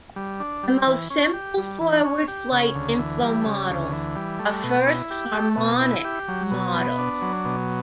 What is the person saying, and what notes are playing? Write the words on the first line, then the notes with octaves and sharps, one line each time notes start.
The most simple forward flight inflow models are first harmonic models.
G3
D4
G3
E3
C#4
G4
G3
E3
C#4
G4
C#3
D2
E3
G3
C#3
D2
E3
G3
A3
B2
E4
G4
A3
B2
E4
G4
F#3
B2
B3
D4
F#3
B2